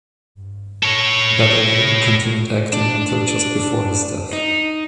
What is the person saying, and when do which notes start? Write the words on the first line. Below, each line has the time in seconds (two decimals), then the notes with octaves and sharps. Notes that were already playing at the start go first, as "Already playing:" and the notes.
Baddeley continued acting until just before his death.
0.83 A4 C#5
2.73 D4
4.33 D#4